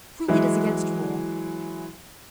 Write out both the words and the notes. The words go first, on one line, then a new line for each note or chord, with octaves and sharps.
Truly it is against rule.
E3 F#3 G#3 E4